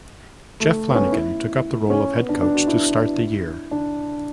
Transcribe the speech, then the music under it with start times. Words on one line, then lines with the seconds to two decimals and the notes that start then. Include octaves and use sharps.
Jeff Flanagan took up the role of head coach to start the year.
0.60 A3
0.90 B3
0.95 C#4
1.12 E4
1.90 C#4
2.16 B3
2.29 D4
2.42 D4
2.55 F#4
2.67 E4
3.71 D4